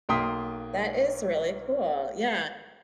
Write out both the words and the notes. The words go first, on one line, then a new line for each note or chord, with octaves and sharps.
That is really cool, yeah.
B1 A#3 G5 C6 D#6 B6